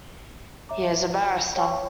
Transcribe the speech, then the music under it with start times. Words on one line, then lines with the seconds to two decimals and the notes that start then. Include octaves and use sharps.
He is a barrister.
0.69 C#5 E5 A#5 D6
1.56 C#5 G5 C#6